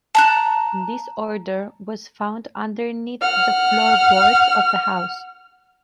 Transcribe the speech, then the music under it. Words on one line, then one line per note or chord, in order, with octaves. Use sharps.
This order was found underneath the floorboards of the house.
A5 A#5 F#6
F#5 F6